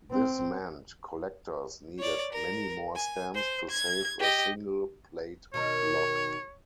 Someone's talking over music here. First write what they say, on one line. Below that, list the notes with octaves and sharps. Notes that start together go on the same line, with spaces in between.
This meant collectors needed many more stamps to save a single plate block.
C4
C#5 D5
A#4
G#5
C5
G#6
G4 D#5
B2 D#3 A#4 C#5